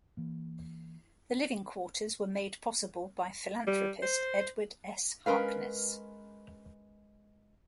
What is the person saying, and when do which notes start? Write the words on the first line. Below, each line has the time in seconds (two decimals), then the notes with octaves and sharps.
The living quarters were made possible by philanthropist Edward S. Harkness.
0.17 E3 A#3
3.67 G3
4.02 C5
5.26 G#3 C#4 A#4 B4 F5